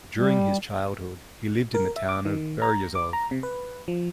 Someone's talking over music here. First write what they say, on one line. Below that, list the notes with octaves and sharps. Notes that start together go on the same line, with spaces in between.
During his childhood he lived in the town of Beryozov.
G3
A#4
E5
D6
D#3
A#5
D6
A#5
C3
B4
F3